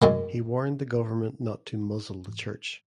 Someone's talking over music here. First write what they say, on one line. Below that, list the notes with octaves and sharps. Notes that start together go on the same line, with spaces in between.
He warned the government not to "muzzle" the Church.
F#2 G#3 A#3